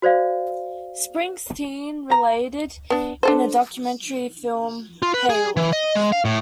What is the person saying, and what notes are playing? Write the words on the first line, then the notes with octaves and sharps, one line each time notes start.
Springsteen related in the documentary film Hail!
F#4 C5 D5 F5
A#5
B3 D4
D4 A4 C5
F4
B4
G#4
E3
D#5
G#3
F5
A2